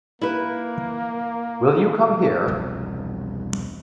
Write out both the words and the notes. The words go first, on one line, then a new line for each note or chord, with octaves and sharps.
Will you come here?
A#3 E4 B4
E1 C2 G2 F3